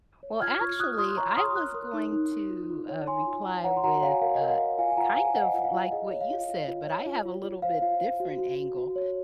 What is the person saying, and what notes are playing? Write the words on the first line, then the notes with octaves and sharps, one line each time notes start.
Well, actually, I was going to, uh, reply with, uh, kind of like what you said, but I have a little bit different angle.
C#5
F4 F6 G#6
F4 C#6 F6
F4 D#6 F#6
F4 C6 D#6
C#5 A#5 C#6
F6
C#5 C6 D#6
A#4 D#6 F#6
A#4 C6 D#6
D#4
D#4
D#4
F4
F4
C#5
C#5 G#5 C6
F4
F4
C#5 F#5 A#5
C6
F#4 F#5 A#5
C#5 F5 G#5
A#4 F5
D#5
A#4
F5
C#5
F4 F5 G#5
G#5
F4 F#5 A#5
C5 F5 G#5
C5 D#5 F#5
F4
F5
F4
G#4 D#5
C#5
F5
F4
F4
F4
C#5
F4
F4
F4
C5 F5
F4 F5
C5
F#4
F#4
F#4
F#4
C#5